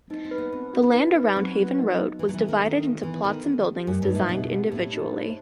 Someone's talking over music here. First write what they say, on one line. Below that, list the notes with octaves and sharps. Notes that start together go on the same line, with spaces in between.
The land around Haven Road was divided into plots and buildings designed individually.
C4 D#4
C4
B4
B3
B3 C4
F#4
D#4
B4
F#3 C4
F#4
D#4
B3
E3 B3
F#3
E3
A4
D#3
D#4
B3
E3 B3
D#3 A4
C4
G4
F#2 A3
G2
D#4
A2
B2 C4
G4
A2 A3
D#4
C5